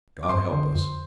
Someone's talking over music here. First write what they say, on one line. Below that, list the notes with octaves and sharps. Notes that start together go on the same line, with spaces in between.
God help us!
D6
G2 C5 C6
D3
F2